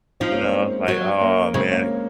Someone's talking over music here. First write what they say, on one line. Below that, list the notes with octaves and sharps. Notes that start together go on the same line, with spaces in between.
you know, like, aw, man
F3 C4 D#4
A#3 C#4
G#3 C4
F#3
A#3 C#4
C#3 G#3 C4
A#3 C#4